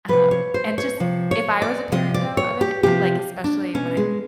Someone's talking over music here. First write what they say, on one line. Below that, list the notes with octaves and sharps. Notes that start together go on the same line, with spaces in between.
Um, and just if I was a parent though, of an like, especially when I
C3 F3 B4
C#5
C5
C#5
C3 F3
C#5
D5
C3 F3 D#5
D5
C#5
G4
C3 F3 G4
D4
B2 C#4
G#3